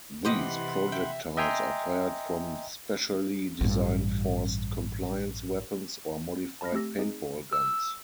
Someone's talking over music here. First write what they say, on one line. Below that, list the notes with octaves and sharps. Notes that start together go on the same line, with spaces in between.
These projectiles are fired from specially designed forced compliance weapons or modified paintball guns.
C3 E3 C4 G4 D#5 F#5 B5 C6
E5 G5
D#5 E5 G5 G#5 A#5 C6
A1 G2
A5 B5 F6 A#6
A3 C4 G4 E6 A#6
C4 D#4 G#4 D#5
E6